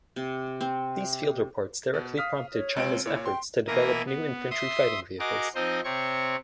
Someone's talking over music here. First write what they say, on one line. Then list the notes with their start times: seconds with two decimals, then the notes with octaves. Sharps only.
These field reports directly prompted China’s effort to develop new infantry fighting vehicles.
0.16 C3
0.61 C4
1.94 B2
2.18 F5 D#6 F6 B6
2.53 C#5
2.76 C#2 C4 D7
3.05 A#2 E4 C#5
3.26 G5 C6
3.67 B2 E3 A#3 A#4 E5 D#6
4.06 B3
4.51 E5 C6 D#6
5.19 F#4 G#4 A#4 D#5 D6
5.55 F3 C4 D#4 C5 D#5
5.84 C3 C4 C#5 C#6